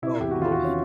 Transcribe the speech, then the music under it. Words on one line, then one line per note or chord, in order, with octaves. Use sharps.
Oh, hello.
C3 E4
E2 G4
F#4
D#3 F4
E2 F#4
C#4